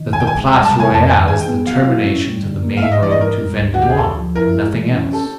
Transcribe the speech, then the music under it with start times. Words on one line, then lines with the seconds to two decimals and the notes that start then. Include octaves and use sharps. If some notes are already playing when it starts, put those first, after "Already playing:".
"That the Place Royale is the termination to the main road to Vendomois, and nothing else."
Already playing: D#3
0.13 D#2 G#5
0.20 G5
0.27 G#5
0.33 G#3
0.52 G3 A#5
0.65 A5
0.71 C3
0.80 G#5
0.91 F2 A5
1.10 D#3
1.28 G#4 G#5
1.41 G5
1.48 B3
1.67 F#3 F5
1.86 E4
2.05 C#4
2.24 G3
2.43 D3
2.63 A#3
2.77 F5
2.82 G#2 E5
2.92 D#5
3.01 E3 D5
3.11 D#5
3.20 G#2 A#4
3.40 G3
3.59 D2
3.74 F#4
3.78 D3 G4
3.90 G#4
3.97 D2 A4
4.16 F3
4.35 E4 A#4
4.55 G#3
4.74 E3
4.93 C#4
5.12 G4 A4